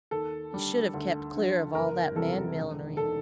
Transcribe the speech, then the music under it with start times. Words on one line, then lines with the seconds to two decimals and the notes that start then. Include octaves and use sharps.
You should have kept clear of all that man-millinery.
0.11 D#2 A4
0.52 D3 G3
0.94 D2
1.34 D3 F3
1.75 F#1 A#4
2.16 E2 C3 E3 G3 A4
2.57 E1
2.97 D#3 A4